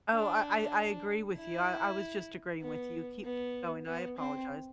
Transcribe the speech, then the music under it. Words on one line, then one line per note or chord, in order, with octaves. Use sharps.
Oh I I I agree with you. I I was just agreeing with you. Keep k going. I apologize.
D4
E4
B3
B3
B3
C4